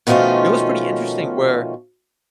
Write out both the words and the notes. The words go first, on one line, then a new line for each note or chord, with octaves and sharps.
it was pretty interesting where
B2 D#3 F3 A3 C#4 F4